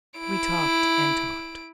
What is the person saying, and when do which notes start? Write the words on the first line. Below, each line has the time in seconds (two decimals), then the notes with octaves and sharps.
We talked and talked.
0.19 E4 D7